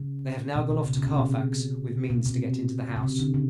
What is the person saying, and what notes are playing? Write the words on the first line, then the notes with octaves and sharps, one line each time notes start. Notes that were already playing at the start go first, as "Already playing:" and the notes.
They have now gone off to Carfax, with means to get into the house.
Already playing: C#3
B2
B2
C#3
C#3
C3
B2
B2
C3
C3
C#3
D3
C#3